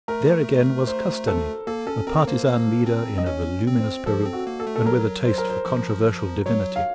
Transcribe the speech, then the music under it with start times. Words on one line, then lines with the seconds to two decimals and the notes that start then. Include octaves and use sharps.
There again was Castanet, a partisan leader in a voluminous peruke and with a taste for controversial divinity.
0.08 A3 A#4
0.87 C5
1.27 A4
1.67 A#3 A4
1.87 C#4 A4
2.07 C4 A#4
2.27 A#3 C5
2.47 A#3
2.86 C4
3.18 D#5
3.26 C#4 C#5
3.67 C4
3.80 C5
4.06 F3 A4
4.26 C4
4.33 F#4
4.47 A#3
4.60 A4
4.67 A3
4.76 A4
4.86 F#3 A#4
5.26 C5
5.38 A#4
5.50 C5
5.66 F3
6.46 F#3 C#5
6.76 F5